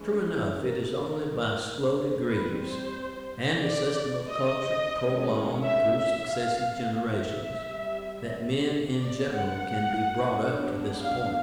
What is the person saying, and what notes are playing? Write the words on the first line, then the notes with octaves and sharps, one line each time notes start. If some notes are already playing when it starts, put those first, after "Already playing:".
True enough, it is only by slow degrees, and a system of culture prolonged through successive generations, that men in general can be brought up to this point.
Already playing: E3 G#3 C#4
E4
A#4
A#4
G3 C4 B4
C5
D5
D#5
D#3 G#3 C#4
E5
E5
F5
E5
G3 C4
D5
F#5
F#3 B3 D4
F5